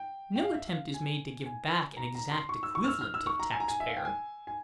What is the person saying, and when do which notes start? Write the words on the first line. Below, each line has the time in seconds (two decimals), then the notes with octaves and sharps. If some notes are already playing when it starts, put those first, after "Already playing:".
No attempt is made to give back an exact equivalent to the tax-payer.
Already playing: G5
0.36 G5
0.42 F5
0.54 E5
0.68 F5
0.94 G#5
1.46 G#5
1.97 A#5
2.15 A#5
2.32 C6
2.49 C#6
2.63 E6
2.75 C#6
2.84 F6
2.88 E6
3.01 F6
3.14 E6
3.27 C#6
3.40 A#5
3.53 G#5
3.60 A#5
3.68 G#5
3.80 E5
3.88 F5
3.97 G5
4.05 G#5
4.47 G#5